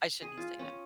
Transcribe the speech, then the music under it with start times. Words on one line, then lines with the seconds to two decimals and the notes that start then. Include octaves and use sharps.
I shouldn't say no.
0.22 G#4
0.37 F4
0.59 C#4